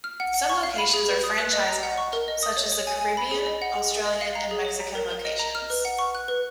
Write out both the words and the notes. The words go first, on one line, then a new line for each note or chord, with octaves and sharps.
Some locations are franchise owned, such as the Caribbean, Australian, and Mexican locations.
F6
F#5
F#5
C#6
F5
B5
G#4
B4
D#6
F#6
D#5
A#5
F#5
C#6
A#4
D#5
D#6
C#5
C#5
G#5
G#5
B5
G#4
D#5
F#5
G#4
G#4
D#5
F5
A#5
G#4
C#5
A#5
A#4
A#4
D#5
A#5
F6
B4
F#5
C#6
F#6
B4